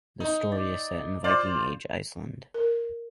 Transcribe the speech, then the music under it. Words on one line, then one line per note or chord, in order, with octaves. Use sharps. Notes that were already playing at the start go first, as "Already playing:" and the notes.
The story is set in Viking Age Iceland.
D#4
D5
F4 C5 D5
A#4